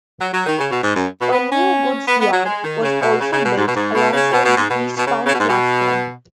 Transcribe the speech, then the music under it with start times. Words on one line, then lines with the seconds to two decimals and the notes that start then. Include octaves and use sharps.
A new goods yard was also built alongside the eastbound platform.
0.20 F#3
0.33 F#3
0.46 D#3
0.59 C#3
0.71 B2
0.84 G#2
0.96 F#2
1.21 B2
1.33 B3
1.52 C#4
2.08 B3
2.20 B3
2.32 F#3
2.45 G#3
2.64 D#3
2.82 C#3
3.01 B2
3.20 C#3
3.33 C#3
3.45 B2
3.58 G#2
3.67 B2
3.76 G#2
3.95 B2
4.13 C#3
4.32 B2
4.44 B2
4.57 G#2
4.70 B2
4.97 B2
5.07 C#3
5.26 C#3
5.33 B2
5.40 G#2
5.49 B2